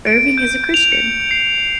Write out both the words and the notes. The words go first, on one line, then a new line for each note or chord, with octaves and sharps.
Erving is a Christian.
D7
G6
F7
C#7
C7